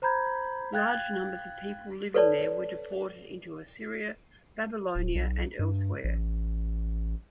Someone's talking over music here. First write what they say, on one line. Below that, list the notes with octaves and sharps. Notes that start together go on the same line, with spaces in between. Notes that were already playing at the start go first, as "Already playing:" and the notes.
Large numbers of people living there were deported into Assyria, Babylonia and elsewhere.
C5 A#5 B5 G6 G#6
F5 G5 F#6 G#6 A6
A4 B4 C#5 D5 A5
D1
B1
G2
A1